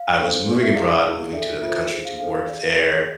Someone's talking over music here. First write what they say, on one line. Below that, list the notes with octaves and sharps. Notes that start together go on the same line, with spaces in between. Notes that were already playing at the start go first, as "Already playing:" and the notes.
I was moving abroad, moving to another country to work there,
Already playing: F5
D4 A4 C5
D4 G#4 B4 D5
E5
E4 G#4 D5 F5
E4 G#4 B4 D5
D4 A4 D5 E5
F4 A4 C5 E5
G#4 C5
F5
D4 A4 C5 F5
G#4 D5
G#4 D5